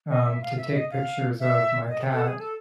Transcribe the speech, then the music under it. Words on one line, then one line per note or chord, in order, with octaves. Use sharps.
um, to take pictures of my cat,
D#5
E5
F5
E5
D#5
F5
E5
D#5
A4
G#4
A4